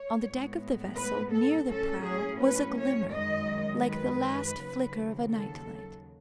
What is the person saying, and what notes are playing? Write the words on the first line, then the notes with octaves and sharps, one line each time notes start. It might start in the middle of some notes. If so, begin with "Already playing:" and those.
On the deck of the vessel, near the prow, was a glimmer, like the last flicker of a night-light.
Already playing: C#5
A2 G#3 B3
B4
A4
A2 F#3 C#4 A4
G#4
B4
C#5
F#2 D#3 G#3 D#5
B4
D#2 C#3 F#3
A4